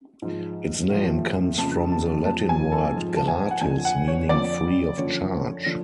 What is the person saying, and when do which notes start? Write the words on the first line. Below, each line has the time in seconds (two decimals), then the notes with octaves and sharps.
Its name comes from the Latin word "Gratis", meaning free of charge.
0.22 G#2 F3
0.90 A2 F3
1.58 F2 C#3 F3 A5
1.92 A5
2.25 F2 F3 A5
2.49 G#5
2.72 A4
2.94 G#2 F3
3.17 A5
3.28 G#5
3.51 F#5
3.61 F2 D3 F3 G#5
3.85 F#5
4.08 C#5
4.29 F2 D3 F3 D5
4.97 F#2 D3 F3 C#5
5.66 D3 F3